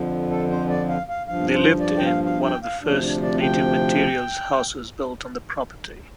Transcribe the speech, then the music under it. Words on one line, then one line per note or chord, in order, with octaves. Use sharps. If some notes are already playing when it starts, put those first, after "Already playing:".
They lived in one of the first native-materials houses built on the property.
Already playing: F2 D3 F3
A4
C5
D5
F5
F5
G2 F3 F5
C5
D5
G5
F5
F5
G5
F5
D2 C3 F3 D4
D4
D5
G5